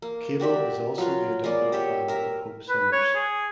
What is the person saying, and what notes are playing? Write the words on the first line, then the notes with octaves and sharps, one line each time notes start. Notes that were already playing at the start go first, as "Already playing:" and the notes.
Cable is also the adoptive father of Hope Summers.
A#3
F#4 G4 D5 E5
F#3 F4 B4 F5
G#3 A#3 B3 D5
G4 C#5 E5 G5
A#4 E5
B4
C#5
G#4